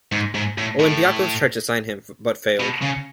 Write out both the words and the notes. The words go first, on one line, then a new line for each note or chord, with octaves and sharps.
Olympiacos tried to sign him, but failed.
G#2
G#2
A2
A2
B2
C#3